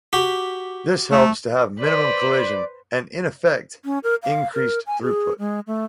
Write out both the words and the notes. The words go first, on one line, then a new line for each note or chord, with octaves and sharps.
This helps to have minimum collision and in effect, increased throughput.
F#4 G4
A3
B4 C5 D5
C#4
A#4
F5
A#4
G#5
G#4
G#3
A3